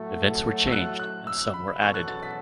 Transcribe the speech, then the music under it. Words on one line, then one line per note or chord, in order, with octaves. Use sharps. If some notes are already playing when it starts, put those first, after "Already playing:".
Events were changed and some were added.
Already playing: A2 F#3 A3 F#4
E6
F#6
F#6
E6
B5
E2 B2 F#3 B3 A4 C#6
F#6
A6
B6